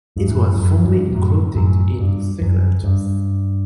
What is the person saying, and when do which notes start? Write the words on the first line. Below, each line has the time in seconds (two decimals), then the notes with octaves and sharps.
It was formerly included in "Scelotes".
0.17 G2
0.27 F#2 A2
0.56 F#2
0.84 G2
1.12 F#2 A2
1.56 F#2 A2
1.99 G2
2.41 F#2
2.84 G2